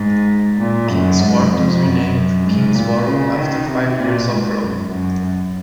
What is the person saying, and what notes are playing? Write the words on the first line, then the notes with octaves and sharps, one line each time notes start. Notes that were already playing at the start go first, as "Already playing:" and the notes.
Kings Fort was renamed Kingsboro after five years of growth.
Already playing: G#2
A#2
F#2
G#2
F2
F#2
G#2
A#2
C#3
D#3
C3
A#2
G#2
F#2
F#2